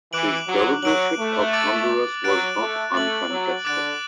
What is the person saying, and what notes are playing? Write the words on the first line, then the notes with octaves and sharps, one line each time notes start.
His governorship of Honduras was not uncontested.
E3 D6 F#6 D7 F#7
F#3
F#3 F#6 D7 F#7
A3
D6 A6 D7 F#7
F#3 F#6 A6 D7
A3
A3 A6 F#7
F#3
D3 D6 F#6 A6 D7